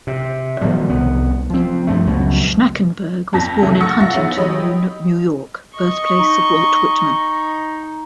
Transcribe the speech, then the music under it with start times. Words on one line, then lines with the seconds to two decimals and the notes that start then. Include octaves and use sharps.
Schnakenberg was born in Huntington, New York, birthplace of Walt Whitman.
0.07 C3
0.61 B2 D#3 F3 G3
0.90 C2 B3
1.50 F3 C4
1.87 G2 F3 A3
2.07 C#2 F#2 B2
3.33 F2 A5 A#6 B6
3.63 C#2 G#2 C3 E3 F#3 A3
3.80 F#5 C#6 E6 A6 A#6 C#7
4.00 F4 E5 F#5 C#6 A#6
4.14 F3 B3 D#4 E4 G#4 C#5
4.37 F#3 G4 C#5 D#5 G5 B5
5.77 D#5 C#6
6.19 D#4